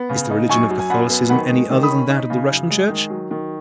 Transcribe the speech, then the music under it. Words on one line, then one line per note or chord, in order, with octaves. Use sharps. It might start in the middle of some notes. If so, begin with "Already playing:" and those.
Is the religion of Catholicism any other than that of the Russian Church?
Already playing: B3
C#3
D#4
F#2 G#5 C#6
F#3
G#5
F#2 F#5 B5
B3
D#3 F#5 B5
G#3
D#3
B5 D#6
C#4
D#4
C#3
F#2
G#3
D#3
F#3
D#3